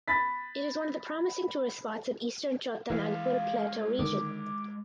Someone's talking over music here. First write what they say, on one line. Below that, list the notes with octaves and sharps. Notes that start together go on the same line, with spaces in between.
It is one of the promising tourist spots of Eastern Chota Nagpur Plateau region.
B5 A6 B6
E3 G#3 B4 F5
D3 D#3 D6